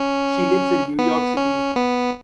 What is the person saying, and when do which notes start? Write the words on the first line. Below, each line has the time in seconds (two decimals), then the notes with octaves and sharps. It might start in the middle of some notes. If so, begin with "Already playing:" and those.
She lives in New York City.
Already playing: C#4
0.99 B3
1.37 C#4
1.76 B3